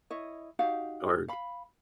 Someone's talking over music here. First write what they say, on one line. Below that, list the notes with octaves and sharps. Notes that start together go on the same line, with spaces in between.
are g
E4 C#5 D#5
D#4 F#4 G4 F5
F5 B5